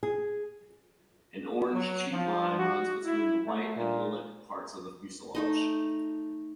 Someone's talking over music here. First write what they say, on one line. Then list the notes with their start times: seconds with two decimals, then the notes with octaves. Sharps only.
An orange cheat line runs between the white and lilac parts of the fuselage.
0.03 G#4
1.73 F#3
2.12 F3
2.58 F#4
3.04 E4
3.46 A3
3.77 A#2
5.35 A3 D#4 D#5